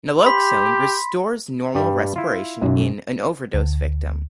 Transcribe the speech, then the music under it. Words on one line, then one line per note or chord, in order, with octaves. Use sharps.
Naloxone restores normal respiration in an overdose victim.
G4 B5 C6 B6
G2 G3
E4 F4
B1 F#2 F#4
D2